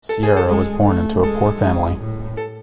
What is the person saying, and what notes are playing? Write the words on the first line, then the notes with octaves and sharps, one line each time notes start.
Sierra was born into a poor family.
A4
G#4
A4
G#3
A3
G#3 A4
G#3
A2
A4